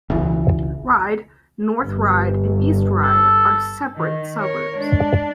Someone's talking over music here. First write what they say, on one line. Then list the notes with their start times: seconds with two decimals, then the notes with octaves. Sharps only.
Ryde, North Ryde and East Ryde are separate suburbs.
0.10 E1 C#2 E3
1.82 G1
3.03 A4
3.95 D#3
4.38 A#4 C#5
4.77 G#3 D4